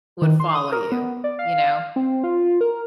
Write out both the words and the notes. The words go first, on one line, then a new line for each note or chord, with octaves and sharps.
would follow you, you know?
D#3
C6
D#6
A#4
B3
D5
F5
C4
F4
A#4